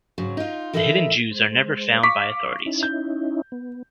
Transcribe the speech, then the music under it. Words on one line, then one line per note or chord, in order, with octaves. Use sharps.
The hidden Jews are never found by authorities.
G#2 C#3 F#3
D#4 F4
E3 D#4 A4 A#4 C#5 E5
G#3 C5
F5 C#6 D6 B6
C#4 D#4 E4
G6
B3